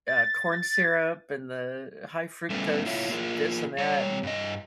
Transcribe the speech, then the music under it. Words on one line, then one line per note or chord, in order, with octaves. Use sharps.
uh, corn syrup and the high fructose this and that, and,
A6
G3 A3 B3 C#4
A#3 E4 F4 C#5 E5
A#3 F4 G#4 A#4
G3 C#5
G2 D#5